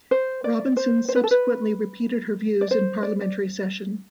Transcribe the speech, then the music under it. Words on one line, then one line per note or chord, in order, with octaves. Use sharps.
Robinson subsequently repeated her views in parliamentary session.
C5
D5
C5
C5
B4
A4
B4
D5
C5
D5
D5